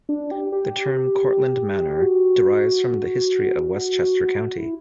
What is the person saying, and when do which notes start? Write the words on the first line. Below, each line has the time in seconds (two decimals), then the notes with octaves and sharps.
The term "Cortlandt Manor" derives from the history of Westchester County.
0.09 D4
0.31 G4
0.52 G4
2.02 F#4
4.58 E4